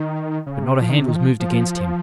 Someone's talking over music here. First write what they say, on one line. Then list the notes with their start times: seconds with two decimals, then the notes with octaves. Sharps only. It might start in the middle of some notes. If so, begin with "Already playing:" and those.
But not a hand was moved against him.
Already playing: D#3
0.47 C#3
0.63 C3
0.81 F3
0.90 D#3
0.98 C3
1.08 D#3
1.16 F3
1.40 F3